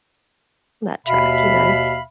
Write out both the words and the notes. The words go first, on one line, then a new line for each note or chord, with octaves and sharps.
that track, you know,
D#2 B2 E5 F5 B5